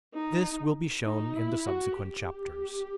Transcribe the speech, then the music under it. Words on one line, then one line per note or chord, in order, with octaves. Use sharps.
This will be shown in the subsequent chapters.
D#4
D#4
E4
F#4
G4